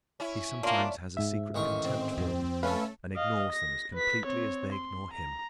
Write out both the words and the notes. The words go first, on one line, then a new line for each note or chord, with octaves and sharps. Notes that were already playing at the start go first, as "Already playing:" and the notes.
He sometimes has a secret contempt for them and ignores them as completely as they ignore him.
C#4 E4
A#3 D4 F4
G#2 E5
A1 D#3 C#6
C4
F2
A3 C#4 A4 B4 F5 B5
D#5 F5
A#6
B4 B6
C4 C#5
C6
A#5